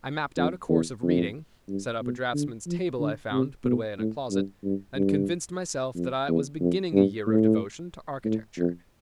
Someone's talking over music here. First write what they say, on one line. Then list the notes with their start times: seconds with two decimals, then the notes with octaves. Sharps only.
I mapped out a course of reading, set up a draftsman’s table I found put away in a closet, and convinced myself that I was beginning a year of devotion to architecture.
0.37 F2
0.69 E2
1.03 F2
1.68 G2
2.02 B2
2.34 D3
2.66 F3
2.99 D3
3.32 C3
3.65 B2
3.98 A2
4.31 G2
4.64 G2
4.96 G2
5.95 F2
6.28 E2
6.60 F2
6.93 G2
7.27 A2
8.25 A2
8.57 F2